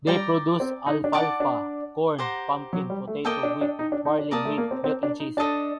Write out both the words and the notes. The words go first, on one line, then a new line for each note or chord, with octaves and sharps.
They produce alfalfa, corn, pumpkin, potato, wheat, barley, meat, milk and cheese.
G3 D5 G5 A#5
C4
D#4
D4
D#4 D5 F#5 A5 D6
D4
G4 C5 F#5 A#5
F#3
G3
A3
A#3 A4 D#5 G5 D6
D4
D4
D#4
D4
D#4
D4
A#3 A#4 D5 A5 D#6
A3
A#3
C4
C4
D4
D#4
D4 A4 D#5 A5